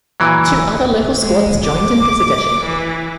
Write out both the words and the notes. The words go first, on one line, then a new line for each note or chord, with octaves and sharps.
Two other local squads joined in this edition.
A#2 E3 F#3
G#3
D6
E3